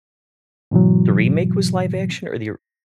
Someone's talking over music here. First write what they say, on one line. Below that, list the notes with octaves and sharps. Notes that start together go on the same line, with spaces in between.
the remake was live action or the
G#2 B2 E3 F#3